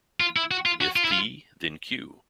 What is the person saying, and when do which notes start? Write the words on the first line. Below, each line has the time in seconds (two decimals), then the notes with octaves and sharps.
If P then Q.
0.20 F4
0.36 E4
0.51 F#4
0.66 F4
0.81 F#4
0.96 F4
1.05 E4
1.12 F4